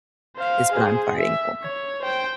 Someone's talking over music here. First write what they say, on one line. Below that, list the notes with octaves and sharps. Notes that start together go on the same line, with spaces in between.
is what I'm fighting for.
C5 F5
G#4 C5
E5
C#5
C5 G5